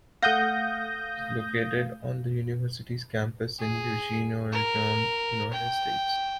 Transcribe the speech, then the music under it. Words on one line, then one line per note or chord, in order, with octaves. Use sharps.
It is located on the university's campus in Eugene, Oregon, United States.
A3 F5 F#5 D#6 G6 A#6
G#4
A#4
G5